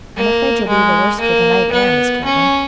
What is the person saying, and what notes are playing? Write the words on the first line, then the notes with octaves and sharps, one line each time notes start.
I'm afraid you'll be the worse for the night air, Miss Kilburn.
A#3
G#3
A#3
B3
C#4